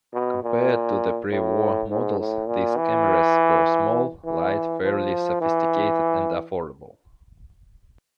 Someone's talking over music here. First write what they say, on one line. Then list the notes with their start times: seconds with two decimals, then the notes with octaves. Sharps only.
Compared to the pre-war models, these cameras were small, light, fairly sophisticated and affordable.
0.13 B2
0.43 A#2
1.31 A2
1.90 G#2
2.19 A2
2.48 A#2
2.77 E3
4.25 E3
4.83 F3
5.41 E3